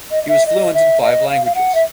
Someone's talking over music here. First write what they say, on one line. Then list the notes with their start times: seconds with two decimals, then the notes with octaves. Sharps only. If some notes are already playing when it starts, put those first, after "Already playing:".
He was fluent in five languages.
0.10 D#5
0.23 D#5
0.28 E5
0.46 D#5
0.73 E5
1.01 D#5
1.27 F5
1.45 F5
1.54 F#5
1.74 E5